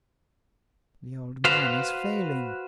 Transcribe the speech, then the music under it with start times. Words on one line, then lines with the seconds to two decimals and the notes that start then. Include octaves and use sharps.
"The old man is failing."
1.45 F#4 B4 C5 F5